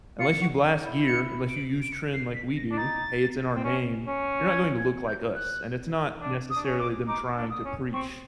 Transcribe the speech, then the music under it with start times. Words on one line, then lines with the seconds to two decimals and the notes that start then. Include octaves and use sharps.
"Unless you blast gear, unless you use tren like we do- hey, it's in our name- you're not going to look like us," and it's not necessarily them trying to preach
0.19 F4 C#7
0.41 F#4
0.84 E4
1.06 C#7
1.49 D7
1.82 D7
1.92 C#7
2.13 C7
2.34 B6
2.56 A#6
2.71 D4
2.77 D#4 A6
3.55 C4
3.63 C#4
4.06 C#4
4.49 G#6
4.78 G#6
5.07 G6
5.35 F#6
6.21 D4
6.50 D#6
6.55 D4
6.64 C#4
6.79 D6
7.07 D#4 D6
7.36 D4
7.50 D#6
7.65 C#4
7.93 C4 C#6